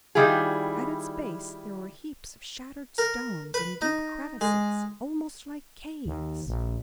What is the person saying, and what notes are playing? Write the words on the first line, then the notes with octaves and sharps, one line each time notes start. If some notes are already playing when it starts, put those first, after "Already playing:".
At its base there were heaps of shattered stones, and deep crevices almost like caves.
D#3 G3 E4 F4 G#4
A#4
B4
D#4
G#3
D#2
A#1